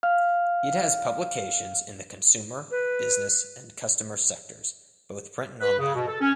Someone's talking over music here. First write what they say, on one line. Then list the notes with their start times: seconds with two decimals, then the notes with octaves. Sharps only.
It has publications in the consumer, business and customer sectors, both print and online.
0.03 F5 F6
2.71 B4
5.61 B4
5.79 C#3
5.95 B2
6.08 A4
6.21 C#4